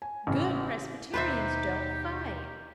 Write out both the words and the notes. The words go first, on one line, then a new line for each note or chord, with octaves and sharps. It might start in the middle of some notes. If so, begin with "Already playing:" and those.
"Good Presbyterians don't fight."
G#5
A1 C#3
D#2 B2 D#4 G4 B4 C5 E5